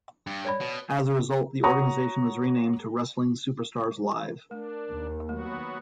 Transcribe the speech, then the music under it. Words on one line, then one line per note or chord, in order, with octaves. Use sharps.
As a result, the organization was renamed to Wrestling Superstars Live.
G2
C#5 D5 B5
B2
F#4 C#5 F#5 A#5 C#6 D#6
A3 D4 A#4
D#2
F#3 A3 B3 F#4